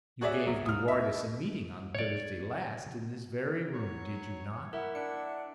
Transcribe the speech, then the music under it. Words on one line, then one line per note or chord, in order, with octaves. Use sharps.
"You gave de Wardes a meeting on Thursday last in this very room, did you not?"
F#4 G#4 C#5 D5 E5
C2
D#6 F6
E5
C#5 D5
F#3 C#5
A#3 E4 A#4 E5 F#5
D4 C#7